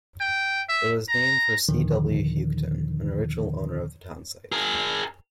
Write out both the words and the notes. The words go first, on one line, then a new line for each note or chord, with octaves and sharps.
It was named for C. W. Houghton, an original owner of the town site.
G5
E5
A#5
D#2 A#2 D3 D#3 F3
G#4 A#4